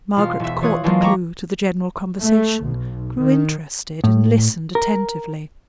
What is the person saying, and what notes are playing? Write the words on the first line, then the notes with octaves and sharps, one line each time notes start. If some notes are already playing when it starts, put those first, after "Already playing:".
Margaret caught the clue to the general conversation, grew interested and listened attentively.
E1 F4 F6
E1 E5
E3 F4 C#5 D#6 F#6 G#6
E3 F#3 G#3 A#3 D4 F4
D#5 G5 A#5 B5 C#6 D6
A3
B1
D#3
A2
A#4